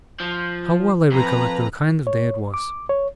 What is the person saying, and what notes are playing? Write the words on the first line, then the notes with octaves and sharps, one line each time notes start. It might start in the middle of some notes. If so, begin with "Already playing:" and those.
How well I recollect the kind of day it was!
F3
F2 B4 A#5
C#5
D6
C#5